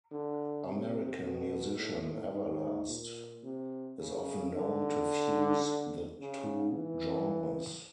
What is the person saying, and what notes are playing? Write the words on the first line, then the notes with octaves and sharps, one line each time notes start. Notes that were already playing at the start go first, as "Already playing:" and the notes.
American musician Everlast is often known to fuse the two genres.
D3
C3
B2
A2
G#2
A#2
C3
C#3
D3
C#3
E3